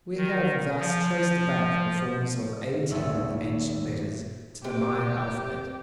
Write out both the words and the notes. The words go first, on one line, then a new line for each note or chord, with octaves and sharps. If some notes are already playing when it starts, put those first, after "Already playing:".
We have thus traced back the forms of eighteen of the ancient letters to the Maya alphabet.
D#3
F3
D#1 G#1 A4 C#5 E5
C3 G4